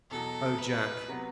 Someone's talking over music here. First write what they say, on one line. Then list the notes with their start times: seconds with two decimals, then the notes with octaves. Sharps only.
"Oh, Jack!"
0.11 E2 B2 F#3 A4
0.58 B4
1.08 C3 F#3 B3